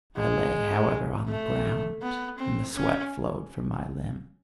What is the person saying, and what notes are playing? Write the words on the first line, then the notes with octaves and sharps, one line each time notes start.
I lay, however, on the ground, and the sweat flowed from my limbs.
G#3
A3
B3
C4
C#4